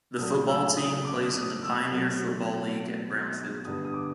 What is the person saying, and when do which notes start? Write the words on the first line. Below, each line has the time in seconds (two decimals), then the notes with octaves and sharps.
The football team plays in the Pioneer Football League at Brown Field.
0.18 A#2 F#3 A3 D#6
0.48 E6
0.77 D#6
1.05 D6
1.34 D#6
1.63 E6
1.92 B2 F#3 A3 C4
3.65 G2 D3 G3 B3 D#6
3.85 D#6
3.94 D6